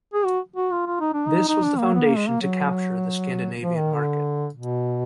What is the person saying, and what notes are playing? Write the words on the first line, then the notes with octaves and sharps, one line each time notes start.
This was the foundation to capture the Scandinavian market.
G#4
F#4
F#4
F4
F4
D#4
D4
D#4
D#4
D4
A#3
B3
A#3
G#3
A#3
F#3
F3
D#3
D3
B2